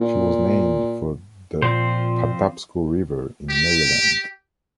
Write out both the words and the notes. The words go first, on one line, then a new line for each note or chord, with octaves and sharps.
She was named for the Patapsco River in Maryland.
A#2
A#2 F3 C4 C5
G4